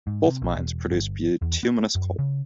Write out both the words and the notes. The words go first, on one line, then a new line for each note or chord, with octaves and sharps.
Both mines produce bituminous coal.
G#2
C3
A#1
E1
G1
E2
B3
F#2
C#3